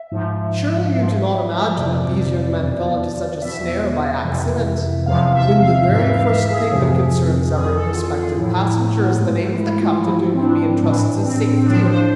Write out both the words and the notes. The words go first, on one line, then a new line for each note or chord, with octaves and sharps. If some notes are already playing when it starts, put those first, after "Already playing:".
Surely you do not imagine that these young men fell into such a snare by accident, when the very first thing that concerns every prospective passenger is the name of the captain to whom he intrusts his safety!
Already playing: E5
G#2 F3
G#2 F3
F2 C3 F3 D5
E2 B2
E2 B2 E5
F2 C3 E3
E2 C3 F3 F5
E5
F5
G#2 E3 E5
F5
E5
G#4
F2 C3 F3
F2 E3 G#4
A4
F4
G#4
A2 F3 E4
E4
A3
B3
G#2 E3 G#3
A3
E4
F4
G#2 F3 E4
C4
D4
A2 E3 D4
C4
C4
A2 F3 D4
C5